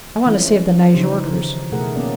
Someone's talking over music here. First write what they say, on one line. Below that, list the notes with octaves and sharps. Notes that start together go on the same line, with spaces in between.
I want to save the Nyjorders.
E3 G#3 C4 C#4 E4 F4
C#3 E3 F3 D#4 G4 C5
D#3
B2 A3 G#4 A#4 F#5
A#3 B3 C#4 D5